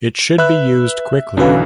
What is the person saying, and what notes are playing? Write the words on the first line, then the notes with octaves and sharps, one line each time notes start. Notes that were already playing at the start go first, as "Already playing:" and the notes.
It should be used quickly.
B4 E5 F#6
B1 D3 E3 C#4 E4 F#4 B4 F5